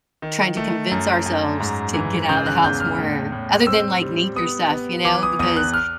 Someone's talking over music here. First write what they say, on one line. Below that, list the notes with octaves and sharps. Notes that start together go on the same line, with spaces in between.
trying to convince ourselves to get out of the house more, other than, like, nature stuff, you know, because
D#3
A3
F#2
F#2
G#2
E3
C#3 G6
F#6
E2 G6
F6
A2
A2
C4 E6
G3
B3 D#6
B3
E3 D6
D#6
E2 D#6
F#6
F6